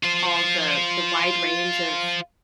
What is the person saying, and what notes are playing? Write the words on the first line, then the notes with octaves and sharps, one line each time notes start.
all the the wide range of
F4 C5